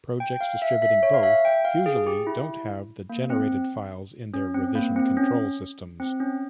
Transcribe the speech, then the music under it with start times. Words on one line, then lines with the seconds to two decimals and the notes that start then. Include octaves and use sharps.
Projects distributing both usually don't have the generated files in their revision control systems.
0.20 G5
0.41 F5
0.62 E5
0.82 E5
1.03 C#5
1.14 F5
1.23 E5
1.45 G5
1.65 F5
1.86 G#4
2.07 G4
2.27 E4
3.10 A#3
3.30 C4
4.34 C#4
4.54 C4
4.75 A#3
4.96 C4
5.17 C#4
6.00 C4
6.20 C#4